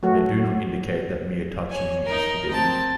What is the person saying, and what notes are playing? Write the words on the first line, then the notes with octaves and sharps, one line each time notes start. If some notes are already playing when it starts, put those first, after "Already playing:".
They do not indicate that mere touching is forbidden.
F#3 A3 F#4
C#5 G#5
D#4 A#4
C4 A5